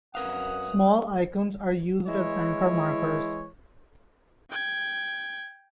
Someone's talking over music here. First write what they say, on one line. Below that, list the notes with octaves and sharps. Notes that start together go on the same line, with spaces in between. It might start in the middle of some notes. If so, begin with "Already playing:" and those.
Small icons are used as anchor markers.
F#2 A#4 B4 F5 F#5 D#6 F#6
E3 G#3 E4 C#5
G5 G#6